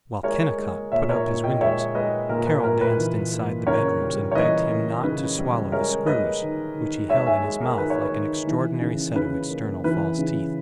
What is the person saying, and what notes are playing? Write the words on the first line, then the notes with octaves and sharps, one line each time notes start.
While Kennicott put up his windows Carol danced inside the bedrooms and begged him not to swallow the screws, which he held in his mouth like an extraordinary set of external false teeth.
G#3 A#4 C#5
G#3
A#2 C#5 E5
A#4 C#5
A#2
D#5 G5
G#3 C#5 E5
G#3 B4 D#5
A#2 A#4
B4
A#2 A#4
B4
E3
A#3
C#3 A#4 C#5
G3
C#5
E3 B4 D#5
A#3
C#3 B4
G3
G#3 A#4 C#5
G#3 B4 D#5
D#3
D#3
G#3 C#5 E5
E5 G#5
G#3
A#4
D#3 B4
C#5
B4
D#3
E3
C#3
C#3 B4
A#3
E3 B4
C#3